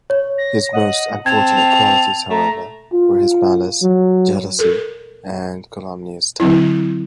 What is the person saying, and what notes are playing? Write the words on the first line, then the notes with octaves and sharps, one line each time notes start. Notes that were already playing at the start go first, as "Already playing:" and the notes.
His most unfortunate qualities, however, were his malice, jealousy, and calumnious tongue.
C#5
A#6
D#5 F#5
C4 A5 G#6 F7
A3 A#5
F4
F#3
A4 A#4
D3 F#3 C4 E4